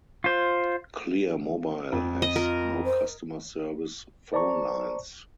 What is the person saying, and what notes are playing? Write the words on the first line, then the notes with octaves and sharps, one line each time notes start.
Clear Mobile has no customer service phone lines.
F4 C5
F2
D#5
F4 A#4
C5
C5 D5 A5 A#5 C#6